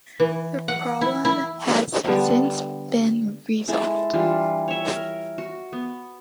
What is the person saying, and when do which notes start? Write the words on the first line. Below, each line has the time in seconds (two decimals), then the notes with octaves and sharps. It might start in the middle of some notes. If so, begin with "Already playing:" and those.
The problem has since been resolved.
0.20 E3
0.68 F#5
1.01 E4
1.25 E4
2.07 D3 G3 B3
3.68 G#3 E4 A4
4.13 E3 G3 D4 F4
4.68 C#5 E5
4.96 A#4
5.38 F#4
5.73 B3